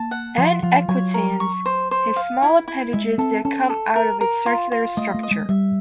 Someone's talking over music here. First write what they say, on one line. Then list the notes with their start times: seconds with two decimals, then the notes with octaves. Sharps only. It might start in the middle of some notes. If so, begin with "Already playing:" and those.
"N. equitans" has small appendages that come out of its circular structure.
Already playing: A#3 A5
0.11 F#5
0.38 F3 F4
0.63 F3 F4
0.88 F#3 C#5
1.14 A#4
1.40 C#6
1.66 C5
1.91 C5
2.16 F5
2.42 E4
2.68 E4
2.93 G#3 E5
3.18 C4 A4
3.45 C#4 A4
3.70 A4
3.96 A#4
4.21 A#4
4.46 F4
4.72 F4
4.97 A3 D#5
5.14 A3
5.23 D#5
5.31 G#3
5.49 G3 E5